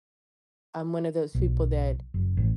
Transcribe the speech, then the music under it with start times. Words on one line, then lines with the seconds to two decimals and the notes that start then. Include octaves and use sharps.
I'm one of those people that
1.35 B1
2.14 F#1
2.37 A1